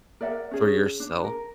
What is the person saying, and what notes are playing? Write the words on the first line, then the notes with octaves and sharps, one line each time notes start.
for yourself,
A#4 D5 E5 F#5
C#4 G#4
D4
A#4